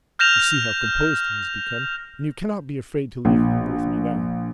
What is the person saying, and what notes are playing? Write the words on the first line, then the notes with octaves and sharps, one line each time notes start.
You see how composed he has become, and you cannot be afraid to leave him with me now.
F6 G6 A#6 E7 F7
A#1